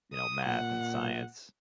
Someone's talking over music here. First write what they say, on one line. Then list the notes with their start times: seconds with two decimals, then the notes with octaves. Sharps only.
you know, math and science.
0.13 D#6
0.45 A#2 F#5